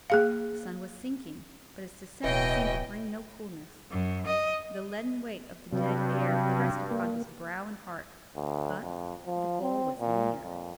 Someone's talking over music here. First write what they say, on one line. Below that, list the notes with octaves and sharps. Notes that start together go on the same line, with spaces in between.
The sun was sinking, but its descent seemed to bring no coolness; the leaden weight of the dead air pressed upon his brow and heart, but the goal was near.
A#3 G#4 F5
D1 B2 E3 C#5 D#5 G5
F#2
D#5
G2 C3 F#3
A#3
D2
F2
F3
C4
A#2
F2